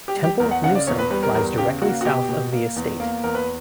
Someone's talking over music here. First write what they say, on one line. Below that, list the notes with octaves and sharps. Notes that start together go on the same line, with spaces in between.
Temple Newsam lies directly south of the estate.
G4
G3
G4
E2 A#4
F#5
C#3 F#5
D5
E2 C#5
B4
G3 B4
A#4
E2 A#4
C#3 G4
A#3 F#4
F#4
B2 G4
B2
A#3
E2
A#3
E2 A#4
B4